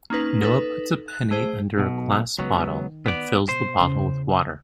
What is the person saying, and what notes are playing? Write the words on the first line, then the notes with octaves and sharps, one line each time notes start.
Noah puts a penny under a glass bottle then fills the bottle with water.
A#3 C#4 D#4 B4
D#4 A4 B4
F#6
A3 G#4 C5
B1 B2
C#2 D#3 F#3 B3
B3 D5
B2 C5
E2 C#3